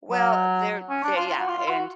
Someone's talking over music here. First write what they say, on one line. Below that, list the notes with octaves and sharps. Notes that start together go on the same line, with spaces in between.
Well, they're they yeah, and,
F#3
C#4
D4
F4
F4
F#4
F4
F4
F#4